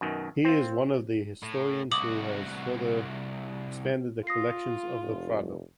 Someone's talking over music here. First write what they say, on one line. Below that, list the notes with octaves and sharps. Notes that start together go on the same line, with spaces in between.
He is one of the historians who has further expanded the collections of the Prado.
F#2 B2 D#3
C4 F4
A2
C2 F#4 D6 D#6 F#7
F4 D#6 A#6 C7
F1